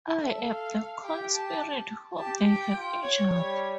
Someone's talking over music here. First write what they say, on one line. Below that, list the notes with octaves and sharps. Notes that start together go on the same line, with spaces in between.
I am the corn spirit whom they have injured.
A4 E5
F5
G4 G5
A5
G4 A5
G5
F4
C#5
G3 C#5